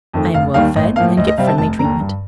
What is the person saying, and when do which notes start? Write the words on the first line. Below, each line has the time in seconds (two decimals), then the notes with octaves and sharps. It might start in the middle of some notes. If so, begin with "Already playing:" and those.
I am well fed, and get friendly treatment.
0.14 F2 D#3 A3
0.34 F1 F5
0.54 D#2 D#3 G3 F5
0.76 A1 D#5
0.96 A2 F3 A#3 F5
1.17 D2 D#5
1.27 D#5
1.38 C3 G3 C4 F5
1.47 A5
1.58 F1 A5
1.79 D#2 D3 A#5
2.00 G2